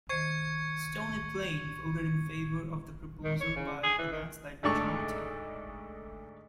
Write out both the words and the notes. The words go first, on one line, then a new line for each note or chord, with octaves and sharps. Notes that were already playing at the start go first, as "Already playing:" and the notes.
Stony Plain voted in favour of the proposal by a landslide majority.
D#3 C5 C#6 G#6 C#7
D#3
C#5
C#3
G#4
E3
D#3
D2 G#2 D4 D#4 A4 C#6